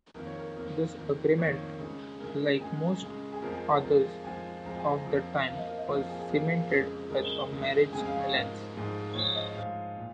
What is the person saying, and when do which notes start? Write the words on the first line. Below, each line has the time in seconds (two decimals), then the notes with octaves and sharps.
This agreement, like most others of the time, was cemented with a marriage alliance.
0.14 F2 D#3 A#3 A#4
0.26 C#5
0.37 A#4
0.56 F2 D#3 A#3 A#4
0.97 F2 D#3 A#3
1.38 F2 D#3 A#3 C#5
1.79 C#3 G#3
2.20 C#3 G#3 A#4
2.60 C#3 G#3 G#4
3.02 C#3 G#3
3.32 G#4
3.42 F2 F3 G#3 A#4
3.52 G#4
3.63 A#4
3.73 G#4
3.83 F2 F3 G#3 A#4
4.24 F2 F3 G#3 G#5
4.65 F2 F3 G#3 A#5
4.77 G#5
4.90 A#5
5.05 F2 F3 A#3
5.47 F2 F3 A#3 F5
5.58 D#5
5.67 A#4
5.78 D#5
5.88 F2 F3 A#3 F5
5.97 A#4
6.08 G#4
6.19 G#4
6.29 F2 F3 A#3 A#4
6.70 F2 C#3 G#3
7.10 F2 C#3 G#3 A#4
7.51 F2 C#3 G#3
7.92 F2 C#3 G#3 G#5
8.06 F5
8.20 C#5
8.33 G#2 F3 G#3 A#4
8.74 G#2 F3 G#3
9.15 G#2 F3 G#3 C#5
9.35 D#5
9.55 G#2 F3 G#3 F5
9.97 A#2